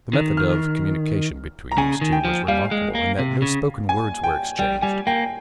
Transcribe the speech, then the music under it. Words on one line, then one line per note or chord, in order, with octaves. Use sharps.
The method of communication between these two was remarkable in that no spoken words were exchanged.
D#3
F6
A#5
C#3 G#5
D#3
G5
F3
G3 F5
G#3
A#3
C3
C#3
G#5
G5
G3 G5
G3 G#5
A#3 G5